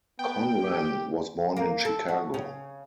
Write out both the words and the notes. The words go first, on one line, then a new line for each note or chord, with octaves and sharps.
Conlan was born in Chicago.
B3 G5
G4
A#3
A4
F#4
C#3